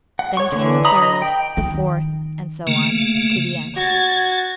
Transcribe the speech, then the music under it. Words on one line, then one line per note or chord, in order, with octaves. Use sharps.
Then came the third, the fourth, and so on, to the end.
F#5
C#5 C#6
D3 E3
A#5 B5 D#6
D#5
G5
D#3
C#3 A3 A#3
F#4 G#6 A6